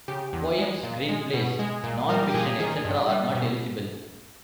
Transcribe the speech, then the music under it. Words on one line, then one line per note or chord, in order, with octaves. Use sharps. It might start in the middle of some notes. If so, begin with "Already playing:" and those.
Poems, screenplays, non-fiction, etc., are not eligible.
C#3 G4
E2
G#3
A#2
G#3
B2
G#3
A#2
G3 A#4
G4
A#2 G#4
D#3 G#4
G2
G3
B2